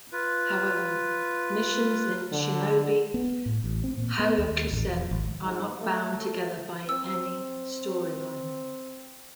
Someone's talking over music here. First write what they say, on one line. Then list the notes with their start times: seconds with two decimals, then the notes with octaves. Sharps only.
However, missions in "Shinobi Hyakusen" are not bound together by any storyline.
0.12 F4 B4
2.32 D3
3.14 B3
3.46 A2
3.64 A1
3.84 C4
3.97 A#2
4.19 B3
4.38 D#2
4.72 A1
4.87 E1
5.11 G#1
5.44 G#2
5.82 A3
6.89 C4 E6